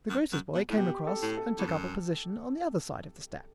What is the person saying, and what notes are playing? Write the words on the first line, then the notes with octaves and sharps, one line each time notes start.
The grocer's boy came across, and took up a position on the other side of the step.
F#2
F#2
B2
A2
B2 G4
A4
A2
A4
E2
F#2